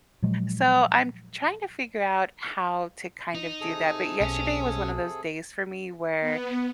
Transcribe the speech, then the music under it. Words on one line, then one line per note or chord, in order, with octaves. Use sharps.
So, I'm t trying to figure out how to, kind of do that, but yesterday was one of those days for me, where
A#2 F3 F#3 G#3
D#4
C3 G#4 A4
B1 C#4
B3